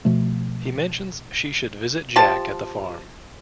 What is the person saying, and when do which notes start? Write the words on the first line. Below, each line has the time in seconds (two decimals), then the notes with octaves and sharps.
He mentions she should visit Jack at the farm.
0.05 B2 F3 A3
2.16 F3 G4 A5